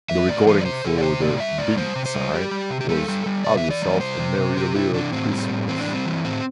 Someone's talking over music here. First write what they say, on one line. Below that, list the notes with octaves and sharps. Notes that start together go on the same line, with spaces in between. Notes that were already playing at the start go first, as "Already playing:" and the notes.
The recording for the "B" side was "Have Yourself a Merry Little Christmas".
E3 E5
A2 D5
E3 C5
D5
C3 C5
C3 A4
D5
C3 C5
A2 D5
G3 E5
A2 D5
G3 C5
C3
C5
G3
G3 G4
G3
C3
G4
G3 A4
G3
G3
C3 D5
E5
E3
D5
G3
C3 C5
C3
C3
C3 G4
C3 E4
E3 D4
A2 C4
G3
A2
E3 C4
D4
G3
C4
E3
A2 C4